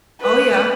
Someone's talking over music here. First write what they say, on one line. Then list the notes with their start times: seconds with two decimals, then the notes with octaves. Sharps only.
Oh, yeah.
0.21 B4